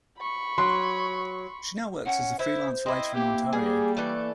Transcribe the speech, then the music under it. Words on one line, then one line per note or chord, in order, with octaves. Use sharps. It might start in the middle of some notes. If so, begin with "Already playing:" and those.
She now works as a freelance writer in Ontario.
B5 C#6
F#3 C6
C#4 F#5
E4 C5 E5
C4 E4 D#5
A#3 G4
G3 G#4
E3 A3 D5